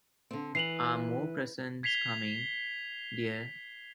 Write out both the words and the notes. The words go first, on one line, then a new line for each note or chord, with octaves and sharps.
Are more presents coming, dear?
D3 C4
E3 C7 F7 F#7
G#6 B6 C7 F7 G7